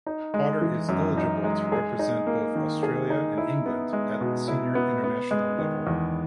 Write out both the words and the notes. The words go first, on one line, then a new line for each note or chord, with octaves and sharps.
Potter is eligible to represent both Australia and England at senior international level.
D#4
G#3
E3
F#2
D#4
G#3
G#4
D#4
A#3
D#3
G#4
D#4
E4
B3
G#3
B2
E4
B3
B3
G#3
D#3
E2